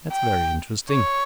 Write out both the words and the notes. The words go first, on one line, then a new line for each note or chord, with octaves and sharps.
That's very interesting....
G5
C#5